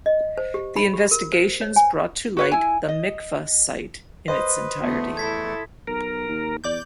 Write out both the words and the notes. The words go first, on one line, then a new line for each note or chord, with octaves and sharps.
The investigations brought to light the Mikvah site in its entirety.
D#5
C5
G4
B5
G4
A#4
C5
C#5
G#5
F#4 B4 C#5
E4 G#5
D#5
B4 C5 D#5 C6 D#6
E2 A3 B3
E4 A4 G#6 B6
B1 A#4
D#2
E2 D5 D6 G6